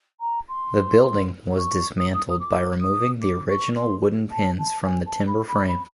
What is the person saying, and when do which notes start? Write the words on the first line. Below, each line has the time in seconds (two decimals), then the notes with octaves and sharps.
The building was dismantled by removing the original wooden pins from the timber frame.
0.20 A#5
0.49 C6
1.57 C#6
1.98 D#6
2.14 D#6
2.30 D#6
2.40 D6
2.81 D#6
3.22 D6
3.49 C#6
3.76 C6
4.31 A5
4.59 A5
4.85 G#5
5.06 A5
5.27 B5
5.48 B5
5.68 B5